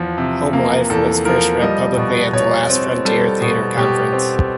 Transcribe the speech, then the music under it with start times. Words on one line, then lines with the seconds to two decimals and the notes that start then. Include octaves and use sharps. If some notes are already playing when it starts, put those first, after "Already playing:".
"Homelife" was first read publicly at the Last Frontier Theatre Conference.
Already playing: E2 F3
0.18 C3
0.53 A#3
0.90 E2 A4
1.25 F3 A#4
1.61 G3 D#5
1.97 B2
2.33 B2 C#5
2.70 C4
3.05 G3 A4
3.41 B2
3.77 B2 G4
4.13 C4